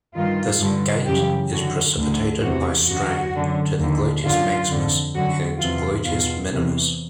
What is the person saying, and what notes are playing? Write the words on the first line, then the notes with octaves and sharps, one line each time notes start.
This gait is precipitated by strain to the gluteus maximus and gluteus minimus.
G2 D#3 F4
G2 D3
F#2 C#3 E3 G4
F#2 D3 F#4
D2 D3
E2 C3 E3 F#4
F#2 D3 F#4
F#2 D3
D#2 D3
F#2 D3 F4
F2 D3
F#2 D3 F#4
E2 C3 E3 F4
E2 B2 F4
E2 C3 E3